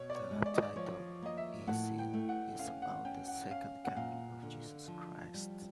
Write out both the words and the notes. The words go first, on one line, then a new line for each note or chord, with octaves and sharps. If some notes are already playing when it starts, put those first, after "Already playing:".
The title essay is about the Second Coming of Jesus Christ.
Already playing: B2 C#5
D5
C#5
G#3
D5
D#5
D5
F3 C#5
A#3 D#5
E5
A2 F#5
G5
A3
F#5
C#4 F5
F#5
C#4 G5
F#5
C#4 F5
F#5
A#2 F5
D3
F3
G3